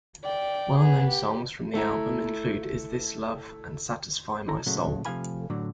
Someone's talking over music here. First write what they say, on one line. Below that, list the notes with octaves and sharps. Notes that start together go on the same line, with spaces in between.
Well-known songs from the album include "Is This Love" and "Satisfy My Soul".
D5 G5
B3 G#4
G4
A3 E4 A#5
D#4 E4 A4 A#5
A#2 C#3 F#3 A3
C3 F3 A3 F5 G#5 B5
A2 D3 F#3